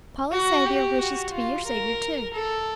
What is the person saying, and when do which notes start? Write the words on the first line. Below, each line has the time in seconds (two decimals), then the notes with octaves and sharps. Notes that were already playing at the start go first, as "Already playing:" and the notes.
Paula's Saviour wishes to be your Saviour too.
0.32 F#4
0.65 G4
0.99 F#4
1.32 F4
1.66 A#4
2.33 A4